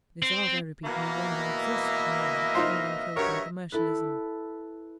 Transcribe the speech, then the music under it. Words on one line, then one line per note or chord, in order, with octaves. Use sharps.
This art, I repeat, no longer exists now, having been killed by commercialism.
C4
B2 E3 A#3
D#5 E5
D#4 F4 C5
G2 F#4 A#4 C#5
E4 A4 B4